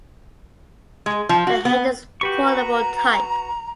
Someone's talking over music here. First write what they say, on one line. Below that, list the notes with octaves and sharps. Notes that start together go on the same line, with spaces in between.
The head is portable type.
G#3
F3
F#4
B3
F#4 G4 B4 C#6
A#5